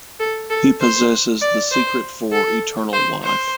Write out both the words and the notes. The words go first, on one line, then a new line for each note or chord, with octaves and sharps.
He possesses the secret for eternal life.
A4
A4
C5
D5
C5
A4
C5
C5